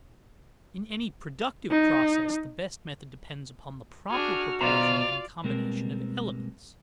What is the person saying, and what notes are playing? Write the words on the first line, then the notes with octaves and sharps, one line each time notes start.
In any productive process the best method depends upon the proper proportion and combination of elements.
D#4
D4 F#4 G#4 F6
B2 F4 C5 D5 F5 A#5
B2 G3 G#3 A#3 C4 A#4